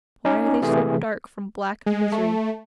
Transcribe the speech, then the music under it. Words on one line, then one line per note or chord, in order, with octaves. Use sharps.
Why are they so dark from black misery?
C#4 D#4
C3 E3 A3 G#4
G#3
A3